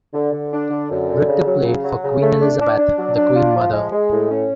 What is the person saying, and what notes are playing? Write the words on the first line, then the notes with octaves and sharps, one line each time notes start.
Richter played for Queen Elizabeth The Queen Mother.
D3
D3
D4
D3
F#2
D3
C#3
F#3
C#3
F#3
C#3
A3
D4
D4
D4
F#3
D4
F4
F3
G#3
G#3
A2
C#4